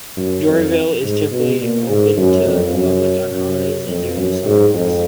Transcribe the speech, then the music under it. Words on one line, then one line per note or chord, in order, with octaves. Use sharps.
Dairyville is typically open to the public on holidays and during the summer months.
F#2
F2
G#2
B2
A#2
G#2
F#2
F2
F#2
F#2
F2
F#2
G#2
F2